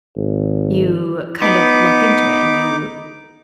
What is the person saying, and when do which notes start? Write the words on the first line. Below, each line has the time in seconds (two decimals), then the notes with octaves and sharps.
you kind of look into it, and you
0.16 G#1
1.42 B3 D#4 D6